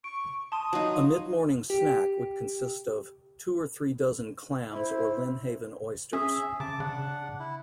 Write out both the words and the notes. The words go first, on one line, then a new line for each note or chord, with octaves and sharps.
A mid-morning snack would consist of "two or three dozen clams or Lynnhaven oysters".
C#6 D7
A5 C6 D#6
F#3 D#4 F5 C6
G4
E4 C5
C#4 G#4 E5
C#3 A5 D6
C#3 D4 F#5
E4